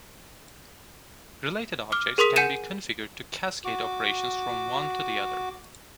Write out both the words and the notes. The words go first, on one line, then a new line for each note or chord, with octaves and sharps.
Related objects can be configured to "cascade" operations from one to the other.
D6 F6
G#4 A#4 C6 D#6 B6
F#5 G#5 G6 C#7 D#7 E7
F#4 D6